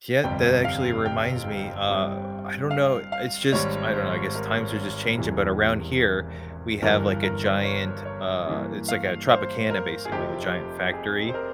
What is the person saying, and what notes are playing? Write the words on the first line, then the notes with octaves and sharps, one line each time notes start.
Yeah, that actually reminds me, uh, I don't know, it's just I don't know, I guess times are just changing, but around here, we have, like, a giant, uh it's like a Tropicana, basically, a giant factory,
G1 F2 C3 G3 G5
F5
G5
G2 G3 C4
F5
F5
G#1 G#2 G3 C#5
C5
A#4
E1 E2 C3 E3 G3
G1 G2 E3 A#4
A#4
C5
C#5
C#5
G2 E3 A#3
F5
C5
A#4
G#4
F1 F2 C3 F3 G4
G#4
C5
A#4